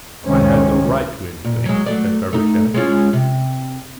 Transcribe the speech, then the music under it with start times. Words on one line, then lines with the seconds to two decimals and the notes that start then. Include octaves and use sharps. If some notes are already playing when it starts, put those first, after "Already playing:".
"I had no right to anything," said Feversham.
0.24 C#2 F#2 C3 D#3 G#3 C#4
1.44 A#2
1.66 F#3 G#3
1.86 F#3 A3 D5
2.33 A3 D#4
2.74 G#3 C#4 F4
3.13 C3